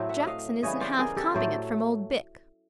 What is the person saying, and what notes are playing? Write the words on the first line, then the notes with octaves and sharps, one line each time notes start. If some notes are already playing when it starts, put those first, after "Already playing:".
'Jackson isn't half copping it from old Bick.'
Already playing: A2 F#3 A3 C4
E5 F#5
D#5 F5
C#3 E3 G3 B3 C#5 D#5
C5 D5
G#4 A#4
G4 A4
A2 F#3 A3 C5 D5